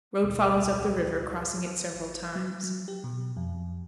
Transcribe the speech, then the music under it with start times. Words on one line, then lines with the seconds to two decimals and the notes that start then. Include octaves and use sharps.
Road follows up the river, crossing it several times.
0.23 D1 B1
1.95 G#1
2.36 F#3
2.63 F#3
2.88 G4
3.04 B2
3.37 F2